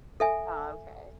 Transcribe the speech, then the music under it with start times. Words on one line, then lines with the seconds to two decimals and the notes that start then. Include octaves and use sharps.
Oh, 'kay.
0.20 A4 E5 G#5